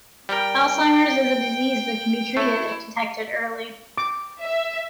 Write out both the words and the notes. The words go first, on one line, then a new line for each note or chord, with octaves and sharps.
Alzheimer's is a disease that can be treated if detected early.
G3 A#4 G5
A3 E4
D6
E5